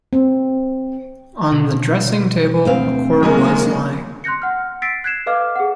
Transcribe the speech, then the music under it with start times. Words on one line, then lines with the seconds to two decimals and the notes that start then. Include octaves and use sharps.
On the dressing-table a cord was lying.
0.13 C4
1.52 B2
2.65 D2 C4 F5
3.23 D#3 F#3 G#3 A#3 A#4 D#5 G#5
4.24 C6 F#6 G6 A#6 C#7
4.42 F#5 F6
4.82 E6 A6 B6 C7 D7
5.04 F#6 G#6 C7 E7
5.26 A4 B4 D#5 F5 D6 F6
5.56 G#4 F#5